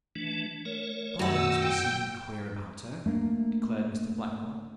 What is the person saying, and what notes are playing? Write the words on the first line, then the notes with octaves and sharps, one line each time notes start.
"I thought there must be something queer about her," declared Mr. Blackmore.
E3 A3 D4
A3 A#4 C#5
F#2 D#3 A3 F#4 F#5 E6
G5
A3 A#3 D4